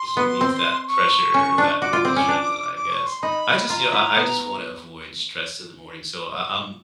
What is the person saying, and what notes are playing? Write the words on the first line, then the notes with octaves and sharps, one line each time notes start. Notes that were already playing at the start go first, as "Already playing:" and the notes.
He needs that pressure, that adrenaline, I guess, I just, you know, I I just wanna avoid stress in the morning, so, I I'm
Already playing: C6
B3
C4
C#6
C#4
D4
F#4 D6
F4
C4
C#4
D4
D6
C#6
C6
D#4 B5
F4 A#5
E4
B3